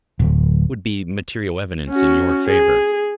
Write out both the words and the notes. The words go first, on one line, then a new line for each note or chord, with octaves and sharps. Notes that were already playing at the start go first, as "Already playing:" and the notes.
It would be material evidence in your favor.
D1
C#4 F#4
G#4